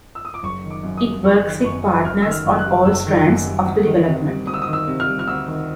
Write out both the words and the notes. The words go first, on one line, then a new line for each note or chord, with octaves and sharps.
It works with partners on all strands of the development.
E6
D#6
D6
F#1 C#6
D#3
D6
F#2
D#6
G3
F#1 C#6
D#3
F#2 C#6
G3
F#1 F6
D#3 E6
F6
F#2
F#6
G3
F#1 E6
D#3
F#2
G3
D2
D#3
C3
G3
D2 D#6
E6
D#6
D#3
E6
C3
F6
G3
F6
D2 E6
D#3